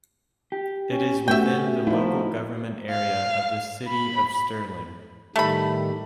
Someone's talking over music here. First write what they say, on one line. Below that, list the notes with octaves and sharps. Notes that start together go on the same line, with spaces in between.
It is within the local government area of the City of Stirling.
G4
C#4
A3 B3 C#4 F#4 E5 G5
F3 A3 D#4 E4 F#4
F5
B5
A2 D#3 G3 A3 B5